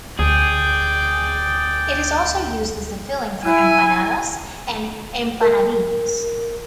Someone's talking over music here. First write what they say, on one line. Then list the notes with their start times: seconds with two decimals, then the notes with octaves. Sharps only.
It is also used as the filling for empanadas and "empanadillas".
0.19 D2 G#4 D5 G5
3.44 E4 G#5
5.41 A#4